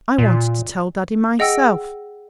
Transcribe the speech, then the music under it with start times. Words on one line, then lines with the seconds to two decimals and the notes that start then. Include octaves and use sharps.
I wanted to tell daddy myself.
0.18 A#2
1.39 G#4 D#5 F#5 G5 E6